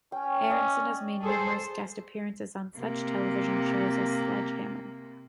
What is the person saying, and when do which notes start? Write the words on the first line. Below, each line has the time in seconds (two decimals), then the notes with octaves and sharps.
Aronson has made numerous guest appearances on such television shows as Sledge Hammer!
0.12 C#4 G5
0.50 D5 D#5
1.22 G#4 A4 C5
2.78 C3 A#3